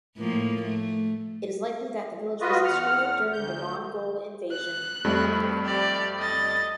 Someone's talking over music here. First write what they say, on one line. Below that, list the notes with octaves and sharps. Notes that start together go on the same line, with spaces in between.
It is likely that the village was destroyed during the Mongol invasion of Hungary.
A2 F3 A#3
A3
F4 F#4 B4 D#5
E2 F#5 F6
D2 G6
F#6
F2 G3 A3
G4 D5
D#5 A6